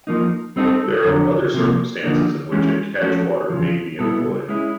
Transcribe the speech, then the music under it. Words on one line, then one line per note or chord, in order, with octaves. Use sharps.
There are other circumstances in which a catchwater may be employed.
F3 A#3 D#4
G3 C4 D#4 F#4 A4
F2 D3 F#3
C3 F3 A#3
D3 F3 A#3 D#4
E3 G#3 C#4
F3 A3 C#4 F#4 A4
E2 C#3 F3
B2 G3 B3 E4 A4
G#3 C#4 E4